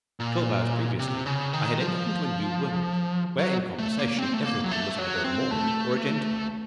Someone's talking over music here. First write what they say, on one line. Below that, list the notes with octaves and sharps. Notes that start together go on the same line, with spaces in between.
Twelve hours previously I had entered into a new world where, in conversation, every one was either a Mormon or a Gentile.
A#2
C3
C#3
D#3
F3
F#3
A3
A#3
C4
A3
A#3
F#3
A3
F#3
C4
A3